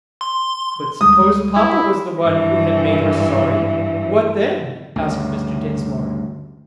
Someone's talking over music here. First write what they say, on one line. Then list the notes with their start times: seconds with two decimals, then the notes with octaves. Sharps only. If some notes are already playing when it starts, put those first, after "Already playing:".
"But suppose papa was the one who had made her sorry; what then?" asked Mr. Dinsmore.
0.21 C6
1.01 D2 G3 G#3 D#6
1.56 E4
2.20 G2 E3
4.96 D2 G2 C#3